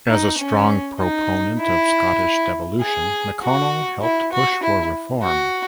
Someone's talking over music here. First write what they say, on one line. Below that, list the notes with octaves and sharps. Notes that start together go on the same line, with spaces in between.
As a strong proponent of Scottish devolution, McConnell helped push for reform.
D#4
C#4
D#4
E4
G#4
F#4
E4
F#4
E4
F#4